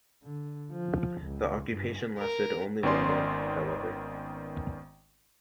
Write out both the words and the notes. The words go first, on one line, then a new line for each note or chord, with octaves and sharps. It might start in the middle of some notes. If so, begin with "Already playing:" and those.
The occupation lasted only one month, however.
D3
F3
C#2
G2
A#4
G#1 D#3 B3 C#4 D5 C6